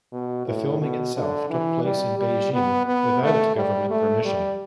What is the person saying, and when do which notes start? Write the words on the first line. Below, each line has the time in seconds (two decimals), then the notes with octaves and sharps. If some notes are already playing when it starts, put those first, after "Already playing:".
The filming itself took place in Beijing, without government permission.
0.13 B2
0.46 A2
0.81 B2
1.16 D3
1.50 E3
1.84 G3
2.19 G3
2.53 B3
2.87 B3
3.22 A3
3.56 G3
3.90 A3
4.25 G3